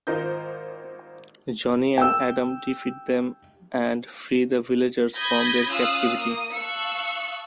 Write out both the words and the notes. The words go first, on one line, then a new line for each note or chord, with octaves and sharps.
Johnny and Adam defeat them and free the villagers from their captivity.
G#1 F4 A#4 C5 D#5 G6
G5 E6
B5 D#6 G6 G#6 A#6 B6
C#4 F4 F5 D#6 E6 F#6
A#3 D#6
F5 A5 C#6 E6 F#6 C#7